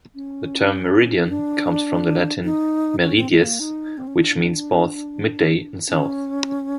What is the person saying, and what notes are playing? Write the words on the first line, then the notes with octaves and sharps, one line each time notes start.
The term "meridian" comes from the Latin "meridies", which means both "midday" and "south".
C#4
D#4
D4
D#4
C#4
C4
G#3
B3
A#3
D#4
C4
C#4
D4
C#4